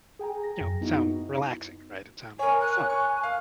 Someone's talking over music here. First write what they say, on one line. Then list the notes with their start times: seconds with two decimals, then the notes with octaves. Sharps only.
you know, sound relaxing, right? It sound fun.
0.19 G#4 G5 G#5 A#5
0.43 A#6
0.61 F#2
0.81 B3 D#4 E4 F#4
2.39 A#4 C#5 G#5
2.61 F#6
2.90 G#5 C#6
3.23 F5